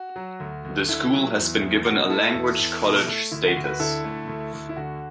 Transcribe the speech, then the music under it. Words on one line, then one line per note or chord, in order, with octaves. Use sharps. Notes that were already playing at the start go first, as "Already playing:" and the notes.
The school has been given a Language College status.
Already playing: F#4
F#3
D2
D2
D3 E4
F#3
E2
E2
B2 F#4
A3 E4 A4
E2
E2
B2
A3
D2 E4
F#4
D2
F#4 B4
D3 E4 A4
A3
D2
D2
E4
D3 F#4